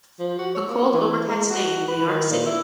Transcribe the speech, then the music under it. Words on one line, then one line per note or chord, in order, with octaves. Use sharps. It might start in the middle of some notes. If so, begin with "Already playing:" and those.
A cold overcast day in New York City.
F3
F#4
C#5
A#3
E3
E3
G#3
F#4
B4
D#3
A#2
E4